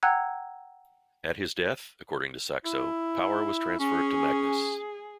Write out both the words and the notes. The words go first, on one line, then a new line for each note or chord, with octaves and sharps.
"At his death", according to Saxo, "power was transferred to Magnus".
F#5 G5 A#5 E6 F#6 G#6
E4
C#4 G#4